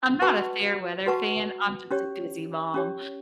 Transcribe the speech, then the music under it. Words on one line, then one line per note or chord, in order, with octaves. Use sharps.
I'm not a fair weather fan. I'm just a busy mom,
F#4 B4 F#5 A5 C#6
F#4 B4 F#5 A5 C#6
C#4 G4 C#5
C#4 G4 C#5